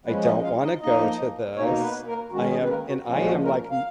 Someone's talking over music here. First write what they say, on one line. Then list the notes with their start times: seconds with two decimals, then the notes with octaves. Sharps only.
I don't wanna go to this." I am and I am, like, m
0.05 F3 G#3 B3 C#4 B4
0.24 D#4 D#5
0.43 F4 F5
0.62 D#4 D#5
0.81 F3 A#3 D#4 D#5
1.56 B2 A#3 C#4 D#4 C#5
1.81 B3 B4
2.06 A#3 A#4
2.31 D#3 G#3 C#4 F#4
2.50 G#3 G#4
2.63 B4
2.69 A#3 A#4
2.88 F#4
3.06 A#2 F3 G#3 C#4 F4
3.25 F#4
3.44 A#3 A#4
3.71 F5